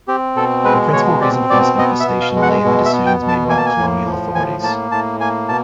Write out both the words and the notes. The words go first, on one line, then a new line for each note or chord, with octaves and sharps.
The principal reason for this infestation lay in decisions made by the colonial authorities.
C4 G4
B2 A4
G#3 B4
B2 C#5
C4 D5
B2 D5
B3 D#5
E5
B2
F5
G#3
F#5
B2
E5
B3
G5
B2
A5
A#3 G#5
A5
G#5
A2
F3
A2 G#5
A#3 A5
A2 A5
A#3 G#5
B2 A5